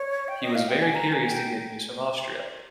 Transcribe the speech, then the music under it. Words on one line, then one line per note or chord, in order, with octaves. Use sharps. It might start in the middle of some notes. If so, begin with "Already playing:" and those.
He was very curious to get news from Austria.
Already playing: C#5
G5
D#5
F5
G5
G#5
A#5
G#5
G5